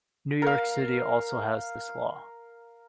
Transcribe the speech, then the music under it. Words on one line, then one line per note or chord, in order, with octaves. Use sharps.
New York City also has this law.
A#4 F5